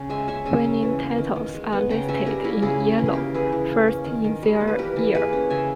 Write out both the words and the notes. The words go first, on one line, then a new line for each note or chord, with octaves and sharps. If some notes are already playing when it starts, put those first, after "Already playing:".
Winning titles are listed in yellow, first in their year.
Already playing: C#3 C#4
G#3 E5 G#5
C#4 E5 G#5
C#3 E5 G#5
C#4
E3
A#3
D#3
D#3
G#3
B3
C#3 G5 A#5
C#4 E5 G#5
G3 G4 A#4
A#3 E4 G#4
C#3 E4 G#4
C#4
E3 A#4
G#4
A#3 G4 A#4
E3 E4 G#4
E3
A#3
C#4
D#3
D#3
G3
A#3
B4
E3 G4 A#4
E3
A#3 G#4 B4
C#4
C#3 E5 G#5